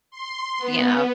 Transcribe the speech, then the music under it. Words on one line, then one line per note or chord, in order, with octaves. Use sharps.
you know,
C6
B3